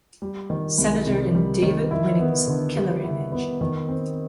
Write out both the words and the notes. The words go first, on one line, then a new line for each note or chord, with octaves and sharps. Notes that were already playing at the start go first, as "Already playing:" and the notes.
Senator in David Winning's "Killer Image".
G3
D#3
C2
C3
G3
D#3
E4
B3
D3
G3
E4
B3
D#3
C4